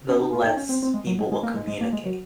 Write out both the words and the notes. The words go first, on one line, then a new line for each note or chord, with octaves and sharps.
the less people will communicate.
C#4
D#4
F4
D#4
C#4
C4
C4
G#3
F#3
G#3
G#3
A#3
G#3
G#3
A#3
G#3
F#3